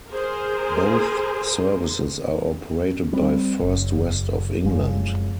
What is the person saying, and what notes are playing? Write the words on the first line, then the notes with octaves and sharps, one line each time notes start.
Both services are operated by First West of England.
G#4 A#4 C5
G3 C4
F#1
F1 F#2 F3 G#3